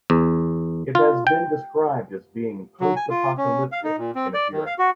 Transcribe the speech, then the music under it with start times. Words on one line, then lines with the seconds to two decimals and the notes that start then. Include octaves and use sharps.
It has been described as being "post-apocalyptic" in appearance.
0.10 E2
0.95 F4
1.27 G5
2.81 F#3
2.96 G#5
3.10 F4
3.38 C#4
3.72 F5
3.84 D#4
3.98 A#2
4.15 C4
4.34 D5
4.53 D#3
4.66 F5
4.79 F#4